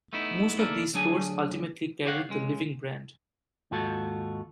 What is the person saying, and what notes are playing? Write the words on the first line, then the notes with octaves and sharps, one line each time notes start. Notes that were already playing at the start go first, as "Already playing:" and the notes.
Most of these stores ultimately carried the 'Living' brand.
A3 B3 D#4 E4
A#3 D#4 E4 A4 A#4 D5
D2 F#3 D4 G#4 G#5
G4 C#5 F5 F#5
C#2 G#3
D#2 G#2 F4 F#4 A4